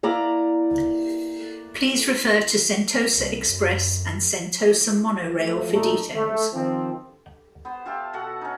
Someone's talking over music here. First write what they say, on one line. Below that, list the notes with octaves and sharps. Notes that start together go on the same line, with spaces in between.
Please refer to Sentosa Express and Sentosa Monorail for details.
A#3 E4 D5 A#5
C2
F#2
F3 A3
A#2 A3 D#4 A4
A3
D#3 F3 C4
B3 C5
F4 G4 E5 A5
B2 F#4 A4 F#5
C#4 D#4